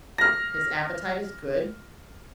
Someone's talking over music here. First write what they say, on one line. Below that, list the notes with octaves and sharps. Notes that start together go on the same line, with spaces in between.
"His appetite is good?"
F6 A#6